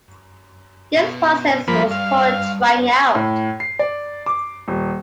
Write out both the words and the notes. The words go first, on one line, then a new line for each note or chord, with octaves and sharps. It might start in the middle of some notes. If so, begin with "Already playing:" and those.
This process was called "trying out".
B2
G2 F3 A#3 B5
F5
A2
C7
D5
D6
D#1